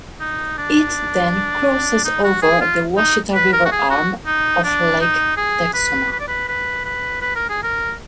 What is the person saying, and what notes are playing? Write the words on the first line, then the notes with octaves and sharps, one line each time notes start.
It then crosses over the Washita River arm of Lake Texoma.
D#4
D4
D#4
F#4
G#4
F4
D#4
B4
A#4
F#4
G#4
F#4
D#4
D4
D#4
G#4
B4
B4
D5
B4
B4
B4
B4
A#4
G#4
A#4